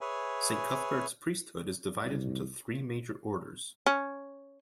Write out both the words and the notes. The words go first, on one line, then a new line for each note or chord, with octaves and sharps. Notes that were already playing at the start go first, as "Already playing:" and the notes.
Saint Cuthbert's priesthood is divided into three major orders.
G#4 B4 C#5 E5 G#5
C2
C#4